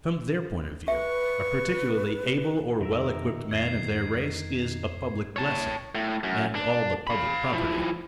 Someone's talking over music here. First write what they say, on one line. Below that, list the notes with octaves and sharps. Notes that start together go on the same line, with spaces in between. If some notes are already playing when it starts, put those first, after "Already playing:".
From their point of view, a particularly able or well-equipped man of their race is a public blessing, and all but public property.
B4 E5 C#6
F2 D#3 A#4 E5
F2 G#6 C7
C#5 A5
A2
F#2
D4
F5 B5
F3 E4